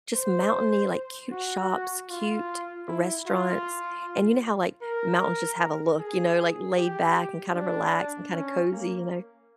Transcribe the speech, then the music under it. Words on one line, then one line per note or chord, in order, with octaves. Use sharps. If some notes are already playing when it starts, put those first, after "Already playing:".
just mountainy, like, cute shops, cute restaurants, and you know how, like, mountains just have a look, you know, like laid back, and kind of relaxed, and kind of cozy, you know
C5
F#4
F4
E4
F4
A#4
G#4
G4
D4
C#4
A#3